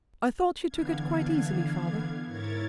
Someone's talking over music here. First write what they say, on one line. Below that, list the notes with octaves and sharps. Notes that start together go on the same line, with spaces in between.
"I thought you took it quite easily, father."
D3 E3 B3 D4 F5 G#6
G#2 E4 A#4 C#5 G#6 A6